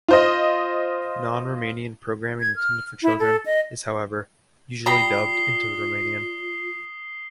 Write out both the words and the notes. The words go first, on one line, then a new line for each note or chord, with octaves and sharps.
Non-Romanian programming intended for children, is however, usually dubbed into Romanian.
F4 C5 D#5
G#6
F6
E4
A4
D#5
G3 F4 A#5 B5 D#6 C7 G7